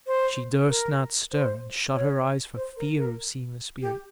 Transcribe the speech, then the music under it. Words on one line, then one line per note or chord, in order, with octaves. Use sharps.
She durst not stir, and shut her eyes for fear of seeing a spirit.
C5
A#4
C5
C#5
C5
A#4
A#4
G4